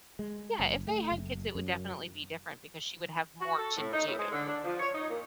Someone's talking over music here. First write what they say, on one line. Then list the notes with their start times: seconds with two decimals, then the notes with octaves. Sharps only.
Yeah, if they had kids, it would definitely be different because she would have more to do.
0.19 G#3
0.60 F#1
0.87 A3
1.12 F#1
1.55 F#2
3.41 F#4
3.57 A4
3.76 A2
3.93 D#4
4.07 A2
4.18 G#3
4.32 D3
4.47 D4
4.64 F3
4.80 C#5
4.92 D#4
5.10 A#2